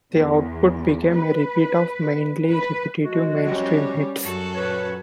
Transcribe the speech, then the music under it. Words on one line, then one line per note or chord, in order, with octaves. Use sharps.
The output became a repeat of mainly repetitive mainstream hits.
E2
B4
B4
F3 G#3 F#4
G3 C#4
F#2 F#4 A4
A#2 B4 C#5